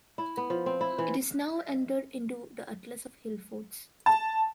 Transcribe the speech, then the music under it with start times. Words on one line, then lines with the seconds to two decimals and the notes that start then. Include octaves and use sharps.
It is now entered into the Atlas of Hillforts.
0.18 E4
0.37 B3
0.50 F3
0.66 C4
0.81 E4
0.98 E3
4.06 A5